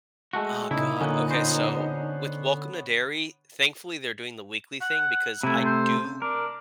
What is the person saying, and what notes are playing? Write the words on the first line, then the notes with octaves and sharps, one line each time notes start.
Ah, god. Okay, so, with Welcome to Derry, thankfully, they’re doing the weekly thing because I do
G#3 A3 F#4
A#2 C#3 D#4 E4
D3 A#3 B3 C#4
B3 C#4 C5
F#5
C3 A3 E4
C5
D4 A#4